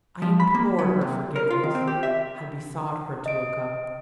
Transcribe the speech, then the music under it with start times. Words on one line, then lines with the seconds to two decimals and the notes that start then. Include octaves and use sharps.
I implored her forgiveness. I besought her to look up.
0.22 F3
0.40 B5
0.55 A#3
0.79 F#3
1.01 C3
1.36 A#4
1.50 F4
1.63 D#3
1.75 C4
1.87 G4
2.03 E5
3.26 D#5 D7